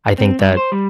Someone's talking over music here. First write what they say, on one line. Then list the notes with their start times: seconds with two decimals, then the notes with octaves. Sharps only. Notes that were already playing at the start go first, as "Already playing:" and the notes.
I think that
0.18 C4
0.39 G2
0.57 C5
0.72 G3